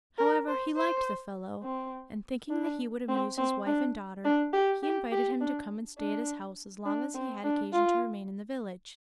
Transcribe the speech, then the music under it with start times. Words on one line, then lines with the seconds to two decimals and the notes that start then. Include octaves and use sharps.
However, he liked the fellow; and thinking that he would amuse his wife and daughter, he invited him to come and stay at his house as long as he had occasion to remain in the village.
0.18 A#4
0.48 C5
0.76 C5
1.64 C4
2.50 D4
3.09 C4
3.38 C4
3.66 D4
4.25 D4
4.53 G4
4.83 G4
5.12 G4
5.41 D4
5.98 D4
6.86 D4
7.14 C4
7.44 D4
7.73 F4